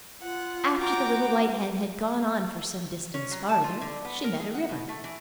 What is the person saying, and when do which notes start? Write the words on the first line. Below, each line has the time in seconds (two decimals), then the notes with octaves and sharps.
After the little white hen had gone on for some distance farther she met a river.
0.22 F4 F#5
0.78 F#4 G5 A#5 D6
3.14 C#4
3.31 F#3
3.49 A5
3.64 F4
3.81 D3
4.05 B3
4.24 A#4
4.40 G#4
4.54 F#5
4.69 B2
4.89 A3
5.04 E3